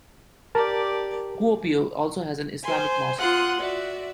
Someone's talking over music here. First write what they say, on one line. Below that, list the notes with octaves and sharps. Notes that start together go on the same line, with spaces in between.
Kuopio also has an Islamic mosque.
G4 A#4 D5 A5
C5 G#5 C6
F4 F#5 C6 D#6 F#6
F#4 D5 E5